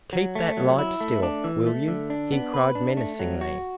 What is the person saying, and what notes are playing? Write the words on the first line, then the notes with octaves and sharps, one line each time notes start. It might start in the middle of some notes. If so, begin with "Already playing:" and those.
"Keep that light still, will you?" he cried menacingly.
F#3
A3
F#3
E4
A3
D4
E3
A3
D3
D4
B3
B4
D4
A3
F#3
F#4